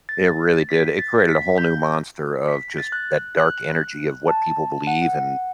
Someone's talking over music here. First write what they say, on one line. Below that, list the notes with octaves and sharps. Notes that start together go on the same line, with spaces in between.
It really did. It created a whole new monster of just that dark energy of what people believe and
A6
B6
A6
B6
G6
B6
A6
F#6
F#6
A5
F#5
F#5